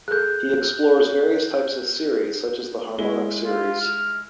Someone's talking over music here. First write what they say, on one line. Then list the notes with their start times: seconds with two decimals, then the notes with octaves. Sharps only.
He explores various types of series such as the harmonic series.
0.08 G#4 A4 F#6 G6
2.98 G#3 E4 G7
3.45 F4
3.81 F6